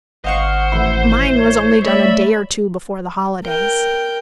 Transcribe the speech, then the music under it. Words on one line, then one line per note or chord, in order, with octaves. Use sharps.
Mine was only done a day or two before the holidays.
G#1 C5 D#5 F5 F#5 C#6
A1 E4
C#5
A3 C#5 D5 E5 B5
A#4 G5